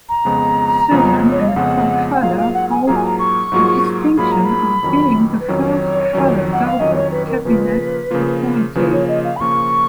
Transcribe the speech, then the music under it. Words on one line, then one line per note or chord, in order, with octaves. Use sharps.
Susan and her father hold the distinction of being the first father-daughter cabinet appointees.
A#5
F2 C#3 F3 G#3 B3
F2 C#3 F3 G#3 B3
C#5
D#5
F5
F2 C#3 F3 G#3 B3 F#5
F#5
G#2 F#3 A#3 F4 G#4 F5
F5
F#5
G#5
G#2 F#3 A#3 F4 G#4 A#5
G#5
A#5
C#6
G#2 F#3 A#3 F4 G#4
G#2 F#3 A#3 F4 G#4 B5
A#5
B5
F2 D#3 F#3 C#4
B4
F2 D#3 F#3 C#4 C#5
F2 D#3 F#3 C#4
F#5
F5
F2 D#3 F#3 C#4 D#5
C#5
B4
A#4
C#3 F3 A#3 F4 B4
C#3 F3 A#3 F4
C#3 F3 A#3 F4 B4
C#5
D#5
F5
B5
C#3 F3 A#3 F4 C#6